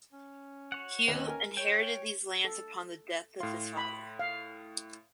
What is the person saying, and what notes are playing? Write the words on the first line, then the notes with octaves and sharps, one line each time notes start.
Hugh inherited these lands upon the death of his father.
C#4
F#4 C#5 F#5
D#2 C#4 B4 D#5
A#4 G#5
C#5 G5
A4
A2 F5 C6
B5
F5